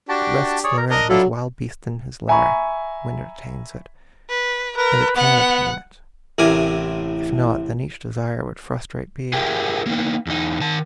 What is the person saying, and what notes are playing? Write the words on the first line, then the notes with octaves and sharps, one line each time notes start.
It rests therein, as wild beast in his lair, When it attains it; and it can attain it; If not, then each desire would frustrate be.
D4 F#4 G4 A5
G#4 C#5 D5
A#4 A#5
D4 A#4 D#5
F#3 D4 E4 F4 A4 B5
E5 G#5 A#5 B5 C#6
B4
A#4 B4
B3 F#5
A1 A2 C3 A#4 G#5 D6
F4 G4 G#4 A#4 E5 G5
A#3 B3 D#4
E2 D#4
D#3 A5